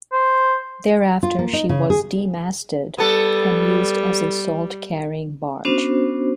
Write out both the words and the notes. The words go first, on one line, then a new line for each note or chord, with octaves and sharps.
Thereafter she was demasted and used as a salt-carrying barge.
C5
F4
A#3
D#4
C#3
G#4
G3 B3 A4
B3 C#4 D4 F#4 C5